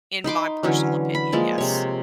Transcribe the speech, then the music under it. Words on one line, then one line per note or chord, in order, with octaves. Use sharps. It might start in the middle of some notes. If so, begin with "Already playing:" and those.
in my personal opinion, yes.
D#4 B5 C6 D6
D3 E3 F#3 C#4
B5
F3 G#3 A#3 D5
C3 C#5